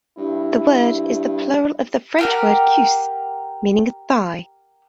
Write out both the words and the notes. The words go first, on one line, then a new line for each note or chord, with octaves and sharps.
The word is the plural of the French word "cuisse" meaning 'thigh'.
G2 E4
G4 A#4 F#5